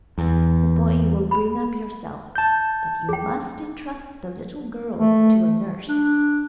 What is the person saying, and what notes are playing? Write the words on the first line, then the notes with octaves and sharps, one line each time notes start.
The boy you will bring up yourself, but you must entrust the little girl to a nurse.
E2
B5
A5 G6
G#4 G5
A3
D4